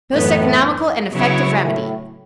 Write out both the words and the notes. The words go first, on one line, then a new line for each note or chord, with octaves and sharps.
Most economical and effective remedy.
F#2 A2 E3 B3
C#3 F#3 B3 E4 C#5
A2